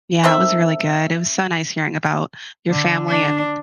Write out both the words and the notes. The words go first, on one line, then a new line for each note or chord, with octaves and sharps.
Yeah, it was really good. It was so nice hearing about your family and
D#3 C4 A4 E5
D3
D4